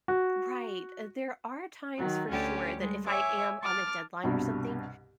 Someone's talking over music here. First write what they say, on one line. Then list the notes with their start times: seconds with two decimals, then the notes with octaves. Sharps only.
Right, uh, there are times, for sure, that if I am on a deadline or something,
0.08 F#4
1.97 D#3 F#3
2.29 D2 D3 C#4 G4 C#5
2.76 G3 G#3
3.06 C#5 E5 G#5 D6
3.62 A5 D6 F6 A6
4.24 C2 G2 B2